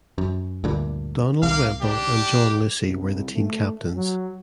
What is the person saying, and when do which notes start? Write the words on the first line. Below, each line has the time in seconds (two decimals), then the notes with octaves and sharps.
Donald Wemple and John Lucy were the team captains.
0.18 F#2
0.64 D2 G2 A#2
1.43 C2 A#3 F5
1.82 D4 G4
2.84 C2
3.35 A3
3.95 F#3